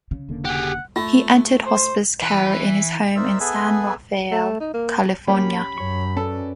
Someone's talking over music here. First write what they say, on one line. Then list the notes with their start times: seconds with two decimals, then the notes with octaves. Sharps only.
He entered hospice care in his home in San Rafael, California.
0.11 C#3
0.29 E1 D3 A#3
0.45 G4 G#4 F#5
0.96 A3 F4
1.66 C5
2.22 E3 B4
3.16 D#4 A#4 C5 D5 E5 E6
3.40 B3 G#4 A4 B4 E5 G#5
4.31 A3
4.60 D#4
4.74 A#3
5.28 A#3 C#4 G4 B5
5.78 F#2 C#5 C#6
6.17 C#4 A4 B4 D5